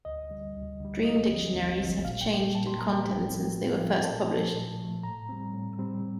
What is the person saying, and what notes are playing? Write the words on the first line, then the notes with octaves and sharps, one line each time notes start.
Dream dictionaries have changed in content since they were first published.
D2 D#5
D3 G3
D2
D3 G3
D#2 D#5
D3 F3 C4
D#2
D3 F3 C4
A#2 F5
G5
G3 A#3
A#2 A5
C6
G3 A#3 A#5
G5
A2
F3 C4
A2
F3 C4
A#2 A5
F3 A3
A#2
F3 A3
A2 A#5
G3 C4
A2
G3 C4